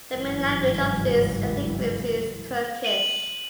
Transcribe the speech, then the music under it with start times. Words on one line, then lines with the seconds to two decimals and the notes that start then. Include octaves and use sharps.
The main language of these ethnic groups is Turkish.
0.12 G1 C#2 G#2 E3 F#3 G3
2.85 D#7 F#7